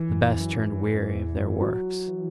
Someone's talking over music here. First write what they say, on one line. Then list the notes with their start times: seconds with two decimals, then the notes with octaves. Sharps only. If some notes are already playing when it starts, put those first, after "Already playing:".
The best turned weary of their works.
Already playing: E3
0.09 F#2
0.33 E2
0.38 F#2
0.69 F#2
0.92 F#2
1.15 E2
1.38 F#2
1.61 F#3
2.07 E3